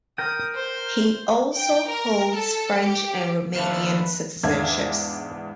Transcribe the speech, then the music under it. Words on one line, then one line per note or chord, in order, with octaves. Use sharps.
He also holds French and Romanian citizenships.
A#4 G5 D#6
C5
G5
A#4
A4
G4
D#2 D3 B4 C5 E5 F5 A5
E2 G#2 D4 E5 F5 G#6